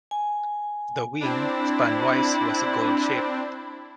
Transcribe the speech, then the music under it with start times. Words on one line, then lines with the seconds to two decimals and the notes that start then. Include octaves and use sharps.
The wing, spanwise, was "gull" shaped.
0.11 G#5
1.20 C4 D4 E4